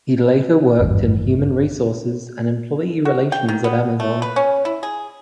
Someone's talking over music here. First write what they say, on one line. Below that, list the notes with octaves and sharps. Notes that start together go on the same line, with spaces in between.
He later worked in human resources and employee relations at Amazon.
G#1 E2 G2
F#4
G5
D#3
B3
A3
B4
C#4
E4
G#4